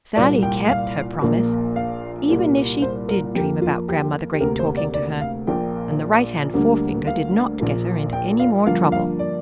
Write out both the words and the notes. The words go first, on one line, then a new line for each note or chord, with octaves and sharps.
Sallie kept her promise, even if she did dream about Grandmother Great talking to her, and the right-hand forefinger did not get her into any more trouble.
C2 A#2 G3 A#3 D5
G5
F5
A#1 A#2 A#3
F5
C2 A#2 G3 A#3
C5
A#4
F2 F3 A#3 G4
F4
G4
G4
D2 C3 A#3 A#4
C5
D5
D5
F5
A#1 A#2 A#3 G5
D2 D3 G3 A#3
F5
A#1 A#2 A#3
G5
F5
G2 D3 F3 A#3 F5
F5
D5